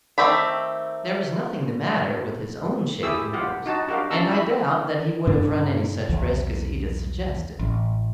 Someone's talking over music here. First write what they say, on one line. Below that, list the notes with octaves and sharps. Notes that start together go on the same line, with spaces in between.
There was nothing the matter with his own shapely nose, and I doubt that he would have run any such risk as Edith suggested.
D#3 A3 C4 G4 B5
E4 G4 G#4 E6
F4 G4 F5 F#5
D#4 F#4 A5
D4 F#4 G4 A#4 F5
C#4 A5 A#5 E6
E4 E5 B5
G2 B2 D4
B1 E2
A1